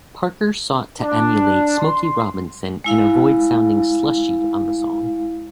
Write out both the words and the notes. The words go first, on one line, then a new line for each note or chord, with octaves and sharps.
Parker sought to emulate Smokey Robinson and avoid sounding "slushy" on the song.
D4
C6
G#3 E4 F5